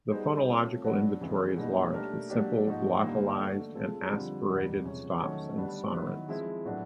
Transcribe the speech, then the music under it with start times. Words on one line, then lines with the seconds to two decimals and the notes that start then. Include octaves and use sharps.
The phonological inventory is large, with simple, glottalized and aspirated stops and sonorants.
0.12 G3 B3 D#4 G#4 C5
0.48 A3 C4 F4 A4 C#5
0.84 F#3 B3 D4
1.21 F2 C#3 E3 G#3
1.56 B2 G3 A#3 D#4
1.93 A3 D4 G4 A#4
2.30 F#3 A#3 D4 G4
2.66 G#2 F3 A#3 D#4 F#4
3.02 D3 G3 A#3 D#4
3.38 A3 D4 F#4 A4
3.75 G#3 C4 F4 A4
4.11 F2 D3 G3 C4 F4
4.47 E2 B2 G3 B3
4.83 C3 F3 G#3 C#4
5.20 D#3 F#3 A3 C#4
5.56 D3 G3 B3 D4
5.92 D#3 F#3 B3 E4
6.29 F3 G#3 C4 E4
6.65 A2 F#3 B3 D4